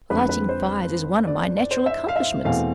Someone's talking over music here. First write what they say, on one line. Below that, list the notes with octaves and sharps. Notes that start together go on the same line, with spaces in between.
Lighting fires is one of my natural accomplishments.'
F2 D3 G#3 C4 B4
B4
C5
D5
D5
C5
E5
F5
E5
E2 B2 A3 C4 F5